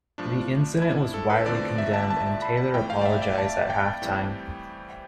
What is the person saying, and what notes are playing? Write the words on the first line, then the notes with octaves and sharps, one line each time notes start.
The incident was widely condemned and Taylor apologised at half time.
G2 F3 A3 D4
E4
A4
B4
E2 D3 F3 A3 C4 D5
E5
A5
A5
B5
A5
F2 E3 A3 G5
F5
D5
E5
D5
A5
A5
G5
A2 E3 G3 C4